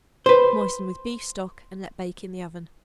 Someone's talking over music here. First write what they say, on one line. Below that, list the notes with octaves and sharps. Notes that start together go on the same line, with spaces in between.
Moisten with beef-stock and let bake in the oven.
B4 C5